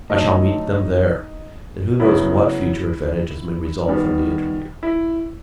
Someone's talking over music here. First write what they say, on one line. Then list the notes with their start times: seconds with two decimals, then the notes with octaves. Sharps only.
I shall meet them there, and who knows what future advantages may result from the interview?
0.09 D3 F#3 A3 D#4
1.99 C#3 F#3 B3 E4
3.88 D#3 G3 B3
4.83 E4